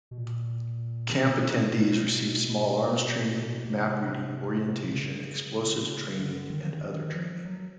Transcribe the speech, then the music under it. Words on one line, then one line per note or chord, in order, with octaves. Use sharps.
Camp attendees received small-arms training, map-reading, orientation, explosives training, and other training.
B2
A#2
B2
C3
C#3
D3
D#3
D#3
F3
F#3